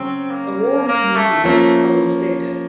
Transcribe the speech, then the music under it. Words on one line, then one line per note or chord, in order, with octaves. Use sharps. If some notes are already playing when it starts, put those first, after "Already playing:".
A war with Midian follows later.
Already playing: C#3 F#3 C4 C#4
A#3
A#3
A3
F3 A3 A#3 C#4